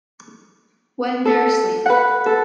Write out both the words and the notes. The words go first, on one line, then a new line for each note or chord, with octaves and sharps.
When They're Asleep.
A4
B4 F#5
A4